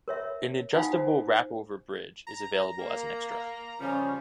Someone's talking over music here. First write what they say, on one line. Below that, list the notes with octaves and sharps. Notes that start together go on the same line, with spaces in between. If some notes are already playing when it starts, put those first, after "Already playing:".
An adjustable wrapover bridge is available as an extra.
A#4 C#5 E5
D#4 F4 F5 F#5 G#5 D#6
C5
A#5
A#3 A#4
C#3 F3 G3 C#4